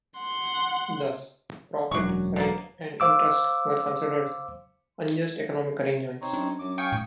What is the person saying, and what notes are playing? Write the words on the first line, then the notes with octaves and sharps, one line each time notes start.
Thus, profit, rent, and interest were considered unjust economic arrangements.
F#5 C6
E1 F#2 F#3 D4 C#6
B2 A#3
C5 F5 D6 E6
C4 D#4 C#5
F#2 D4
F#2 D6
F5 G5 G#5 C#6 D#6
A2